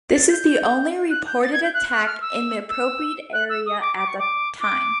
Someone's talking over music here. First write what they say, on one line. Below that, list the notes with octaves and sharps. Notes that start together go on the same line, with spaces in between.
This is the only reported attack in the appropriate area at that time.
A6
G6
F#6
G6
A6
G#6
G6
F#6
F#6
F6
E6
E6
F#6
E6
D#6
D6
D6
C#6
D6
D6